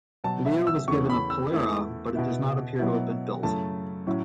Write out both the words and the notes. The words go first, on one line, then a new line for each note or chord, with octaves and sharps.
Lear was given a Polara but it does not appear to have been built.
B2 F#3 B3 A5
E5
E6
E2 C#3 A3 C#4 C#6
B5
E6
E2 E3 A3 E4
B2 B3 E4
B2 F#3 B3 E4
F#2 C#3 A3 C#4 E4 A5
A2 F#3 C#4 E4